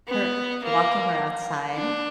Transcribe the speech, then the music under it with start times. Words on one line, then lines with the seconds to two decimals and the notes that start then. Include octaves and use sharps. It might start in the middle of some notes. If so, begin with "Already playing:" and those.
her walking her outside,
0.08 B3
0.64 A#3
1.75 D4